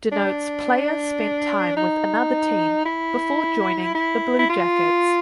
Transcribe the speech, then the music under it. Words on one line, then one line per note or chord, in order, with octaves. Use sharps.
Denotes player spent time with another team before joining the Blue Jackets.
D4
D#4
E4
E4
E4
F4